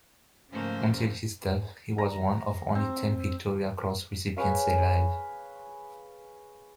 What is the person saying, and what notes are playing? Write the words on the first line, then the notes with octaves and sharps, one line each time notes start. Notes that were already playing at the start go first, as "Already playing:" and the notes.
Until his death, he was one of only ten Victoria Cross recipients alive.
G#2 C#3 F3 A3 A#3 C5
A#5
C4
G#4 B4 C#5 F5